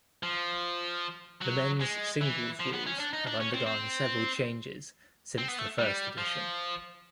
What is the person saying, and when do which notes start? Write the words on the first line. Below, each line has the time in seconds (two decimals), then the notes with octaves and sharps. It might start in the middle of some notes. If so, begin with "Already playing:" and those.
The men's singles rules have undergone several changes since the first edition.
0.23 F3
1.42 F#3
1.81 G#3
2.22 E3
2.60 F3
2.74 B3
2.87 C#4
3.00 D4
3.13 D#4
3.27 D4
3.40 C#4
3.54 C4
3.66 C4
5.38 C4
5.48 B3
5.58 A3
5.78 G3
6.18 F3